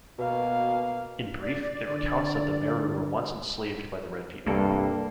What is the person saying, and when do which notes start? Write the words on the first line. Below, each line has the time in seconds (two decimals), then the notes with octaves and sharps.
In brief, it recounts that the Meru were once enslaved by the Red People.
0.19 B2 A#3 F5
1.43 D5
1.89 D3
4.46 C2 G2 A#3 A4